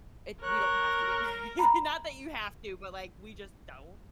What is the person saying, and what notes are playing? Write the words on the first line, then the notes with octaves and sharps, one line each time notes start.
it we don't have to get married, not that you have to, but like we just don't.
A#4 C#5 F#6
A#5 B5